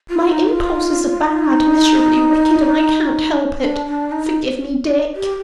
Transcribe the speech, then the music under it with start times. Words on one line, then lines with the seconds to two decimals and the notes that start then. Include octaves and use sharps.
My impulses are bad--miserably wicked,--and I can't help it; forgive me, Dick!
0.10 F4
0.29 D#4
0.49 F4
1.26 D#4
3.60 D4
3.86 D4
4.12 D#4
5.16 G4